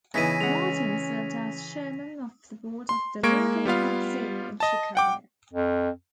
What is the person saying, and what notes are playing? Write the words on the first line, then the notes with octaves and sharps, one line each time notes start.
Martin served as Chairman of the Board of the Lincoln Park Zoo in Chicago.
C#3 E3 B3 D#4 E4 A#6 B6 D#7
G#3 C#4 F#5 F7
C6
G#3 A#3 C#6 G#6 D7
G3 B3 F4 F5
D#5 A5
F#5 G5 D6
F2